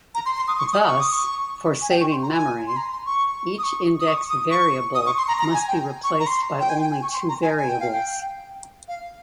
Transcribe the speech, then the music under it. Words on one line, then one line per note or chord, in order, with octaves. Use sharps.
Thus, for saving memory, each indexed variable must be replaced by only two variables.
A#5
C6
C6
D#6
C#6
D#6
C#6
D#6
C#6
G#5
G5
C#6
C6
A#5
G#5
C6
A#5
C6
C#6
D#6
C#6
D#6
C#6
D#6
C#6
D#6
C#6
C6
A#5
A#5
G#5
G5
C#6
A#5
C6
G5
G#5
G5
G#5
C#6
C6
A#5
G#5
G#5
G5
F5
G5
F5